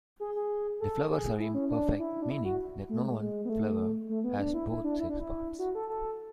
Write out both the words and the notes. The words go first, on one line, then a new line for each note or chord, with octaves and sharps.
The flowers are imperfect, meaning that no one flower has both sex parts.
G#4
G#4
A4
G#4
E4
C#4
D4
E4
D4
E4
F#4
A3
G#3
G#3
B3
A3
A3
B3
D4
E4
E4
D4
E4
D4
E4
F#4
A4
A4